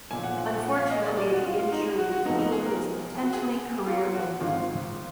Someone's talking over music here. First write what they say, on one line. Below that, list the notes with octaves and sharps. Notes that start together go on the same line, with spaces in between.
Unfortunately, the injury is deemed as potentially career-ending.
B1 A#2 F3 G#5
F#5
F#5
F#5
F#5
F5
D#5
D5
D5
F#4
F4
F4
D#4
F#4
F#4
F1 F2 F3 B3 D#4
D#4
G#4
A#4
F#4
G#4
F4
F#4
G#1 G#2 D#3 F4